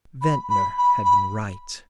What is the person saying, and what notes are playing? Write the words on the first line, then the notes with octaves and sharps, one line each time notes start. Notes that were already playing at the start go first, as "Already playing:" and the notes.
Ventnor had been right.
B5
B5
B5
B5